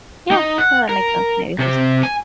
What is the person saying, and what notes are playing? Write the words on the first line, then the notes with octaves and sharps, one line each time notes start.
Yeah. No, that makes sense maybe just
D#4
F#5
A#4
C3 C4
G#5